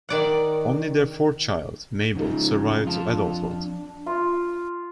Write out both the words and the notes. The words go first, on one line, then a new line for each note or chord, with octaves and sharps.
Only their fourth child, Mabel, survived to adulthood.
D#3 D5 F#5
C#3 F3 G#3 D#4
F2 F4 A5
D4
D4
F4